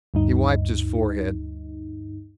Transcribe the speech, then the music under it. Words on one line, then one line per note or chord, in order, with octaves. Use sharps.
He wiped his forehead.
D2 G2 D#4